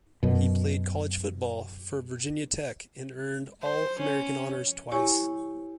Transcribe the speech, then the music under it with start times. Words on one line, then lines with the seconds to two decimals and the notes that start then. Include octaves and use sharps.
He played college football for Virginia Tech, and earned All-American honors twice.
0.23 F#2 B2
3.62 C5
3.98 C#4
4.92 E4 G4 C#5 G#5 C#6